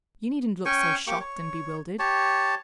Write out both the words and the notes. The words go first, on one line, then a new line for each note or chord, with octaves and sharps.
You needn't look so shocked and bewildered.
C#4 G5 G#5 C#6
A#3 G4 C#6 D6
C#5
G4 C#5 A5